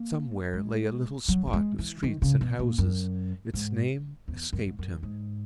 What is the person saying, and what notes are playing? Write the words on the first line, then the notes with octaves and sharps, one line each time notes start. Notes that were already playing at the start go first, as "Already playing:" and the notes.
Somewhere lay a little spot of streets and houses; its name escaped him.
Already playing: A#3
G#3
F#3
A#3
G#3
E3
D#3
C#3
B2
A#2
F#2
G#2
E2
F#2
G#2
F#2
G#2